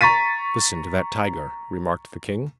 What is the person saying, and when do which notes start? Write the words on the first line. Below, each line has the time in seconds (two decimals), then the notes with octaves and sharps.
'Listen to that tiger!' remarked the king.
0.01 A#5 C#6 A6 B6 D#7